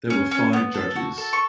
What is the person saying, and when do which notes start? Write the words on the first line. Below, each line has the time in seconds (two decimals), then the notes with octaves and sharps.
There were five judges.
0.10 C#4
0.31 C#4
0.53 B3
0.74 A4
0.96 F#4
1.17 A4
1.33 C#6